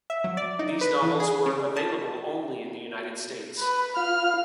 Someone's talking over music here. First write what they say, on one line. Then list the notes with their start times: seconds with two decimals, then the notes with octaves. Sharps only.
These novels were available only in the United States.
0.10 E5
0.24 F#3
0.37 D5
0.59 D#4
0.81 B4
1.02 E3
1.20 G#4
1.46 C#3
1.76 A5
3.59 B4
3.96 F4 F5 F6